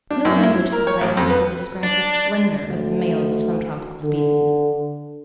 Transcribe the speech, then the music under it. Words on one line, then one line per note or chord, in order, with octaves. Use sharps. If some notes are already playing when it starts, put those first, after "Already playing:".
No language suffices to describe the splendour of the males of some tropical species.
D4
F#2
E4
A#4
C#5
A1
F2
B4
D4
D2
D3